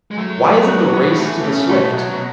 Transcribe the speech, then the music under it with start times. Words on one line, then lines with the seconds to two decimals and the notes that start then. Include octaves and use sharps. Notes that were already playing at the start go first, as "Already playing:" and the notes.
Why isn't the race to the swift?
0.11 G#3
0.18 F#3 A3
0.44 A3
0.69 F#4
0.93 B3
1.10 D#3
1.18 E3 A3
1.43 C#3 A3
1.69 B2 A3
1.94 F#3
2.10 B2